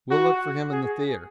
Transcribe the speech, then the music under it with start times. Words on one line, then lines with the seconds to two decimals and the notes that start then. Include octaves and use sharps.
We'll look for him in the theater.
0.10 F#4
0.72 G#4